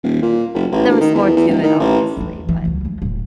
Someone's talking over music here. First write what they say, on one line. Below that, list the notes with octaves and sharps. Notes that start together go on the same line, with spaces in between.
there was more to it, obviously, but
D#1
A#2
F#1
A1
D2
D#3
E2
E2
D1
D#3
A1
E2 E3
E3
C#2 F#3
F3 G#3
D#1 A2